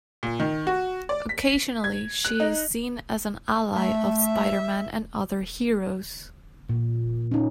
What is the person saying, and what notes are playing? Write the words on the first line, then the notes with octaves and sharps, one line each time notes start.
Occasionally, she is seen as an ally of Spider-Man and other heroes.
A#2
D#3
F#4
D5
B6
G#6
F#6
D#4
A3 E5
E5
A#2
C#4 D#4